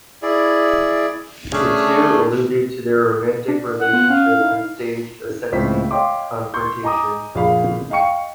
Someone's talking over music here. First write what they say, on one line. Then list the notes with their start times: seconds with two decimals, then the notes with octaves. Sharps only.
The two alluded to their romantic relationship and staged a sexy confrontation.
0.22 E4 G#4 D5
1.52 A3 C#4 D4 G#4
3.48 D4
3.81 F#5
3.93 B3 F4
4.10 C#4 F5
4.40 D#4 E4
5.52 C#2 A2 C4 C5 B6
5.91 C#5 D#5 F5 G5 C6 D6
6.54 C6 C#6 G6
6.83 D#5 G#5 A#5 D6 D#6
7.35 A#1 G#4 F5 B5
7.90 D#5 F5 G5 C#6 C#7